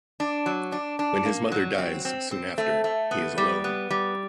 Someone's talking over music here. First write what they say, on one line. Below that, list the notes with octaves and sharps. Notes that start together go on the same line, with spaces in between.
When his mother dies soon after, he is alone.
D4
F#3
D4
D4
A#3
F#3
C4
C4
C4
A3
A3
B3
G3
B3
G3